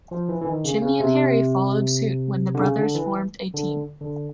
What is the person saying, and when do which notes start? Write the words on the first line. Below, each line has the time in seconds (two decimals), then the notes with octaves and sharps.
Jimmy and Harry followed suit when the brothers formed a team.
0.11 F3
0.29 E3
0.42 E3
0.46 D#3
0.64 C#3
0.82 C#3
1.00 C3
2.54 D3
2.59 C#3
2.77 D3
2.95 E3
3.54 D3
4.01 D3